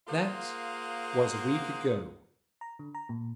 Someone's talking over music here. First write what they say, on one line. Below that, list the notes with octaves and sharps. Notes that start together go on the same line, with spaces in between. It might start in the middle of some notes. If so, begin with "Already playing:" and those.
That was a week ago.
A#3 F4 G#4 C5 F#5
A#5
D3
A#5
A#2